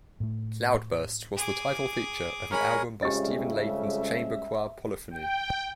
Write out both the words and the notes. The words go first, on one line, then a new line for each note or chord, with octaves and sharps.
"Cloudburst" was the title feature of an album by Stephen Layton's chamber choir Polyphony.
A2 A3
G#4 D6
G#3 A#4 C#5 B5
F2 C#3 G3 G#3 C#4 G4 D#5 E5
G5